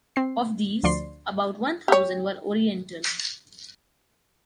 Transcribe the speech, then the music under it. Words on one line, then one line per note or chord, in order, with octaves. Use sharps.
Of these, about one thousand were Oriental.
C4 C7
D2 F3 D5 C6 C7
G4 C#5